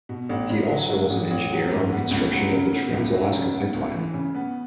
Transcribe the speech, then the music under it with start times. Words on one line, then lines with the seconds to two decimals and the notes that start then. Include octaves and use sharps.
He also was an engineer on the construction of the Trans-Alaska Pipeline.
0.09 B2
0.29 A1
0.50 A1
0.70 F#3
0.90 G#2
1.10 A1
1.30 A1
1.51 F#3
1.71 G#2
1.91 B3
2.11 C#2
2.32 F#3
2.52 C#3
2.72 B3
2.93 C#2
3.13 F#3
3.33 C#3
3.54 B3
3.74 C#2
3.94 E3
4.14 C#3
4.35 B3